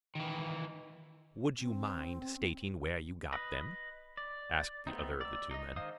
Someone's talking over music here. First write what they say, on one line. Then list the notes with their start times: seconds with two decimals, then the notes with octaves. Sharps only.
"Would you mind stating where you got them?" asked the other of the two men.
0.15 D#3 E3
1.59 C4
3.33 B4 D#5
4.17 D5
4.87 A3 B3 C4 D#4
5.21 D5 E6
5.51 D#4 D#5
5.76 D#3 G#3 C5 F5 D#6